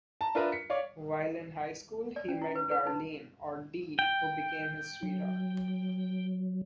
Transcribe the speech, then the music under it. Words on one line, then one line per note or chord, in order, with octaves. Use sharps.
While in high school he met Darlene, or "Dee", who became his sweetheart.
A5 A#5
D4 F4 A#4 B4 E5 A#5
B6 C#7
C#5 D5 F5
D5
C#4
E4
B4
B4
D#4
G5
F#3